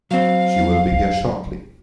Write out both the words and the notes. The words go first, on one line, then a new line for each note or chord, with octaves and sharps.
She will be here shortly.
F#3 C4 F5